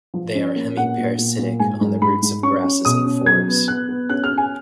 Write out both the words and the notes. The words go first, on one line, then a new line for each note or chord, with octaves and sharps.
They are hemiparasitic on the roots of grasses and forbs.
F3
C#4
A#3
A#2 F#5
A#2
A#2
A#2
G#2 G#5
G#2
G#2 B5
G#2
C#4 C#6
C#4
B2 D#6
C#4
F#3 G#6
B3
B3 F#6
B3
C#4 F#6
F6
C#4
G#5